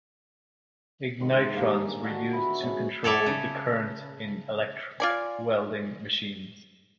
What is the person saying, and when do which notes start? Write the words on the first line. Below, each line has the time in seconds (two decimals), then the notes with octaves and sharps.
Ignitrons were used to control the current in electric welding machines.
1.20 G#2 D#3 C6
1.52 G2 A#3
1.74 G#5
2.03 D3 D#3 F#4 A5
2.33 B3 E5 B5
2.61 G#2 B2 C#4
3.04 A4 C#5 D5 E5
3.26 C#3
5.00 F4 D5 G#5